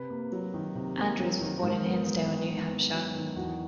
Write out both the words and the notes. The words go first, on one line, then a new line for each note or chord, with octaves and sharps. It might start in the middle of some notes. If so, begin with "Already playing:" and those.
Andrews was born in Hinsdale, New Hampshire.
Already playing: C3 B4
A#3
F#3
D#3
C3
A#3
F#3
D#3
G#2 A#4
B3
F#3
D#3
G#2
B3
F#3
D#3
E2 F#4